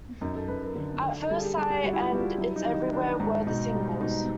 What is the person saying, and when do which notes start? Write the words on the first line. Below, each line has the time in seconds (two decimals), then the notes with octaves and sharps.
"At First Sight" and "It's Everywhere" were the singles.
0.21 F#2 D#4
0.36 A4
0.48 F#2 B4
0.62 A#4
0.76 D3
1.03 D3
1.30 G3 A4
1.37 G#4
1.44 G4
1.57 G3 G#4
1.70 G4
1.84 G3 F#4
1.93 E4
2.02 F4
2.12 G3 F#4
2.21 F4
2.38 F#3 E4
2.56 D#4
2.65 D#3
2.74 D#4
2.92 D#3 D4
3.20 G#2
3.47 B2 D#4
3.74 G3
4.01 B2 D#4